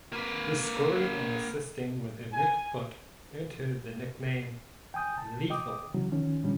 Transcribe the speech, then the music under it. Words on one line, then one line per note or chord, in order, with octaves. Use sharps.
Her scoring and assisting with her left foot earned her the nickname "Lethal".
A#3 B4
G#5
G5 G#5 D#6 G6
A5
D#5 G5 D6 D#6
C#3 E3 F#3
D#3 F3 C#4
A2 D3 F3 G3 C#4